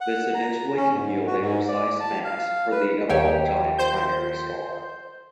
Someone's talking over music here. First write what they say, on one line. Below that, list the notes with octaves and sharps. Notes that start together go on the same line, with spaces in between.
This eventually can yield a precise mass for the evolved giant primary star.
F#5
A#5
C#4
G#2
F#4
G#2
D5
A5
F5
B4
D#2 G4 C#5 G5
C5 G6